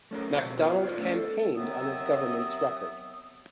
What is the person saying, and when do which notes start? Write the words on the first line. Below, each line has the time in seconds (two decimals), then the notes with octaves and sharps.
Macdonald campaigned on his government's record.
0.11 A3 C#4 A#4
0.30 B2 G#3 B3 C4
0.60 B3 F4
0.83 F4 B4 C5 D5
0.98 A3 C#4
1.13 A4
1.56 D#2 F#3 B3 C4 E5 D#6